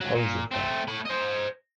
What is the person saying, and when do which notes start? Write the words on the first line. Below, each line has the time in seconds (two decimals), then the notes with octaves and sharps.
How is it bad?
0.01 C#2 F#3
0.16 A#2
0.51 A3 C4
0.88 A3 B5
1.06 C5 D#5